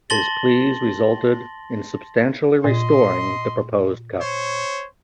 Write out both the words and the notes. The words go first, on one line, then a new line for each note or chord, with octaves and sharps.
His pleas resulted in substantially restoring the proposed cuts.
A5 C6 A6 A#6 F#7 G7
A#2 D#5 C6
C5 C#5